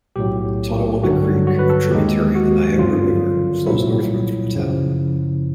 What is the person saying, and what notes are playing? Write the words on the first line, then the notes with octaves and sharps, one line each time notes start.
Tonawanda Creek, a tributary of the Niagara River, flows northward through the town.
B1 A2 F#3 G4
G2 D3 F#3 F#4
F#4
B4
A4
D#2 D#3 G#3 G4
F#4
G1 F2 D3 F#3 F4
C2 A#2 F#3 E4
F#2 C#3 F3